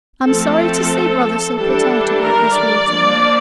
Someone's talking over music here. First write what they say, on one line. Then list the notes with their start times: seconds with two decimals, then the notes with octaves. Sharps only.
"I'm sorry to see brother so put out about this water work."
0.25 F3 A3 C4 A4
1.55 E3 G3 D4 A4
2.21 A#4
2.53 D5
2.86 F3 A#3 D4